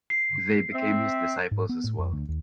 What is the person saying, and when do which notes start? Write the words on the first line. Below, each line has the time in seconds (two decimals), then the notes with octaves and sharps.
They became his disciples as well.
0.10 C7
0.73 C4 E5
1.51 G#2
1.69 B3
1.84 A2
1.98 F2
2.12 D2
2.29 D#2